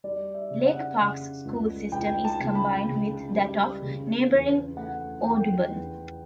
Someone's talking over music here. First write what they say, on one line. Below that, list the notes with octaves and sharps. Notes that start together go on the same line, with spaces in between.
Lake Park's school system is combined with that of neighboring Audubon.
G3 D5
E5
C#3
F#5
C#3
C#2
C#2 G5
A5
C#3
B5
C#3
G3
C#3
E2
A3 F#5
E2 G5
E2